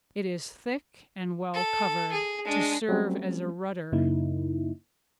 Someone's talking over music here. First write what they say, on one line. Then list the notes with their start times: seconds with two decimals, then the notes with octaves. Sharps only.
It is thick and well covered, to serve as a rudder.
1.54 A4
2.12 G#4
2.44 G#3 D4
2.89 F#3 G3 A3 C4 C#4
3.92 F#2 C#3 A#3 D#4 E4